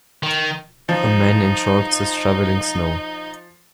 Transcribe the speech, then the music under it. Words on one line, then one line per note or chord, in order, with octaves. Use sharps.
A man in shorts is shoveling snow.
D#3
F3 D#4